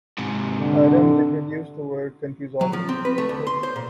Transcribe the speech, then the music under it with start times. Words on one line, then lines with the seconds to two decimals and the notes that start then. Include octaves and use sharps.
Adams introduced the word "confusopoly" in this book.
0.18 G#2 C3
0.58 D3
2.61 F#3
2.73 F3
2.89 C4
3.05 B4
3.18 A3
3.29 D2
3.47 C6
3.63 C5
3.76 A#2